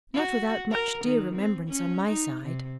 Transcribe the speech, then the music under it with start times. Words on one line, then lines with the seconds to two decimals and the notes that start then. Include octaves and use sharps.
Not without much dear remembrance on my side.
0.14 F#4
0.71 A#4
1.05 D#3
1.36 C4
1.68 C#4
2.08 D#4
2.43 C3